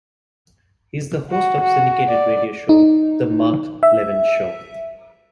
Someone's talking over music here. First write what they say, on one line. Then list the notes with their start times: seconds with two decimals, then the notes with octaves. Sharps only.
He is the host of syndicated radio show "The Mark Levin Show".
1.30 F#4
1.63 F#4
2.08 D5
2.69 D#4
3.83 E5